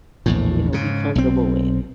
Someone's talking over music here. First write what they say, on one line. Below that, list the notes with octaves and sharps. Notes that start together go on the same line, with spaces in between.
you know be comfortable in,
A#1 E2 A2
G#2 C#3
B1 C4